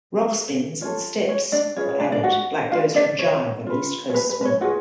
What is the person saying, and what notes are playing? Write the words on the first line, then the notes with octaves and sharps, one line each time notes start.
"Rock spins" and "steps" were added, like those from Jive and East Coast Swing.
F4 A4 C#5
C#5
D4 D5
C#4 F4 G#4 B4 C#5
C#5
D4 D5
D4 D5
F#4 F#5
D4 F4 B4 F5
D4 D5
C#5
F4 B4
C#5
B4
B4
B4
C#5
F4 F#4 G#4 B4 F#5